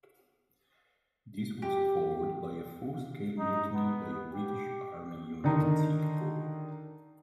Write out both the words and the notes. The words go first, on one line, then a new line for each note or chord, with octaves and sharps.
This was followed by a full-scale mutiny by a British Army unit in Singapore.
G4
D#4
B3
G4
D3 D#3 D#4